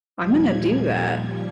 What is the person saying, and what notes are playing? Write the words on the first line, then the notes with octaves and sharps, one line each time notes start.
I'm gonna do that.
D#2 A#2 F3 G3 G#6